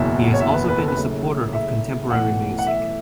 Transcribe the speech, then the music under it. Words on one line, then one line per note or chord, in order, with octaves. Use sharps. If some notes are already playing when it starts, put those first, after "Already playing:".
He has also been a supporter of contemporary music.
Already playing: F#1 E2 B2 F#3 E5
C#5
E5
B4
B4
A4
B4
F#1 F#2 C#3 A3
E5
B1 A2 E3 A3 F#5
F#5
E5